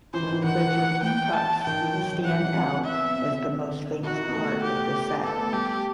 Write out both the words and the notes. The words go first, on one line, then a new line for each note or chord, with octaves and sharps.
The drinking cups stand out as the most famous part of the set.
E3 C5
D#3
E3
D#3 F#5
E3
G5
A5
D#3 G5
E3
F#3
D#3
E3 F#5
E3
C4
B3 E5
C4
D#4 F#4
E4
D#4
B3
A3
G4
B3 A4
A3
G3 G4